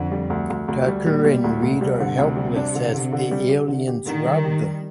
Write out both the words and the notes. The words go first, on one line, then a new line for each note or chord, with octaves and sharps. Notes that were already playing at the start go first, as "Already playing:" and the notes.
Tucker and Reed are helpless as the aliens rob them.
Already playing: F2 D3
G3
D2
D2
D2
G3
A#2 G3
G3
D2
D2
C3 G3
D3
D2
G3
D4
D3
D3
D3
G3
G4
D3
G4
D3 D#3
G3
G4
G3